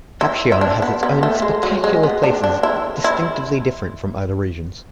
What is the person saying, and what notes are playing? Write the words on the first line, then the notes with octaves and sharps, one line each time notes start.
Hapcheon has its own spectacular places distinctively different from other regions.
E4
E4
D4
B3
B3
A3
G#3
F#3
G#3
B3
D4
D4
E4
E4